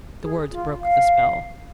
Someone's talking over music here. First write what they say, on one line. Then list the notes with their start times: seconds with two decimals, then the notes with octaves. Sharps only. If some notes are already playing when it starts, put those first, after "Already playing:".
The words broke the spell.
0.22 G#4
0.51 F4
0.82 F5